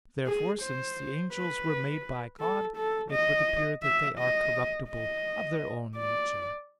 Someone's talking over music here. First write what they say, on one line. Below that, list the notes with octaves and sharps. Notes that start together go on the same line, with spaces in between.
Therefore, since the angels were made by God, it would appear that they are corruptible of their own nature.
G#4
C5
B4
A4
A4
D#5
E5
D#5
D#5
D5